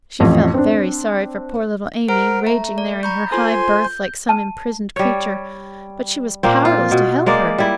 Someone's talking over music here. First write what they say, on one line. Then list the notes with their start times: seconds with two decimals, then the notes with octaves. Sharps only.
She felt very sorry for poor little Amy, raging there in her high berth like some imprisoned creature, but she was powerless to help her.
0.20 A1 F2
0.54 C4 D4
2.09 A#4 C5 F#5 D7
2.47 A3 A#5
2.78 D5
3.03 A#5 B5 C#6 G6
3.32 F4 A4 C5 G#5 C6
3.85 G6
4.29 A5
4.96 G3 C#5
6.43 A#2 A#3 C4
6.65 F4
6.91 B2
7.26 G#3 A#3 D5
7.58 G3 E4